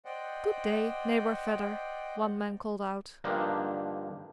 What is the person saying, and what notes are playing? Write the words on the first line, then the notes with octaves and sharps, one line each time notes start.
"Good day, neighbor Vedder," one man called out.
C5 D5 D#5 F#5 G5
G2 D3 F3 A#3 D4 D#4